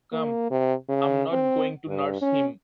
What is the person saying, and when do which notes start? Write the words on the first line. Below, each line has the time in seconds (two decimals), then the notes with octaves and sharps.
Come, I’m not going to nurse him.
0.12 A#3
0.51 C3
0.89 C#3
1.32 C4
1.88 G2
2.22 C#4